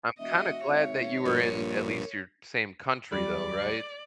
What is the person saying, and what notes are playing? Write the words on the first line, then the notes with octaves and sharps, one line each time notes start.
I'm kinda glad that you were in, at least your same country, though, right?
E1 F#4 D#5 E5
G#1 C#5
A#1 G2 A#2 A#4
D#2 F#3 G3 D5